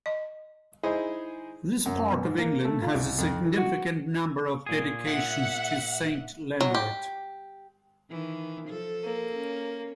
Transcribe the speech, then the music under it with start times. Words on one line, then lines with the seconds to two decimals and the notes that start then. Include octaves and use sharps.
This part of England has a significant number of dedications to Saint Leonard.
0.06 D#5
0.83 D#4 E4 G#4 C5 D#5
1.86 F#2
2.10 B2
2.24 G#2
2.38 A#3
2.65 A3
2.82 F4
2.95 C2
3.18 F2
3.45 E3
3.58 F#4
4.66 A#2 G#4
5.05 E5 F#5
6.61 F#3
6.75 G4
8.10 D#3 E3
8.68 F3 A4
9.04 A#3
9.35 C#4